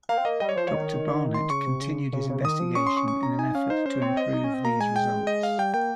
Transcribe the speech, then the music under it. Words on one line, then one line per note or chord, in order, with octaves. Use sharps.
Doctor Barnett continued his investigation in an effort to improve these results.
A#3 F5
C4
A#3 D#5
G3 D#5
C#5
F3 C5
F3 C#5
D#3
C6
C#3 C#6
C3
C#3
C#3
C#3
C#3
D#3 D#6
F3
C#4 C#6
C6
C#6
C#6
A#5
D#4 G#5
C#4 F5
D#4 C5
C#4 C5
C4 C#5
D#5
D#4
C#4
C4
A#3 A#5
G#3 G#5
G5
D#5
F5
G3 G5
A#3 G5